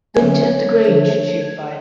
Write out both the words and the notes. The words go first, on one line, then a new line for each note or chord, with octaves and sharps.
'Linton of the Grange,’ she replied.
D3 F#3 A3 C#4 C#5
D3 F3 A3 D4